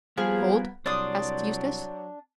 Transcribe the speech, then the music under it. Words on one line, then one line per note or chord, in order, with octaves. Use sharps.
"Cold?" asked Eustace.
F3 G3 A#3 B3 G#4 A#4
C2 F#3 D4 C5 D5 C6 D#6